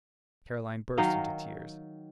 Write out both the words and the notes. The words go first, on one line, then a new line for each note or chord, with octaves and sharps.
Caroline burst into tears.
D#3 F#3 D#5 F5